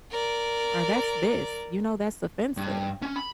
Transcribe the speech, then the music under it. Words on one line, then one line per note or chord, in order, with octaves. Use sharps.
or "That's this," you know, "That's offensive,"
A#4 D5
G2
C#4
B5